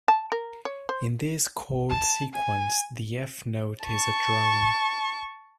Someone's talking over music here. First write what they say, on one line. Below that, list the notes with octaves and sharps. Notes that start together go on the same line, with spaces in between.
In this chord sequence, the F note is a drone.
A5
A#4
C#5
C5
A5
G#5
A5 C#6